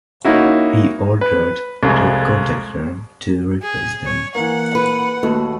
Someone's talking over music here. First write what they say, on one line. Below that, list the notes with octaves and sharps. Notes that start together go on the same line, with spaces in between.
He ordered the contractor to replace them.
A#3 C#4 D#4 E4 F#4
B4
C2 F2 G#3
G#4
C#5
E3 A#3 F#5
B4
D#2 A3 F#4